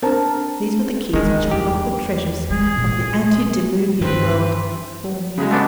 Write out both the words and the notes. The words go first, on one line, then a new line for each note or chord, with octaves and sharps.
These were the keys which unlocked the treasures of the antediluvian world for me.
C4 D4 A#4 C5 A5
D#3 G#3 D4
E2 G4
G#3 G#4
A#2
G2 D#3 C4 B4
C#3 F#3 G#3
A3 B3 D4